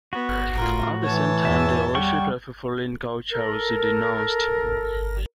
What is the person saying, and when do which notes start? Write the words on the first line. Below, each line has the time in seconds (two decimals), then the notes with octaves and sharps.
At the same time the "worship" of foreign culture was denounced.
0.13 B3 F#4
0.55 A2 F4 A#4
1.03 E3 C#5 A5
1.45 E2 G#2 E5
1.95 G3 F#5 G5 C#6
3.32 A4 A#4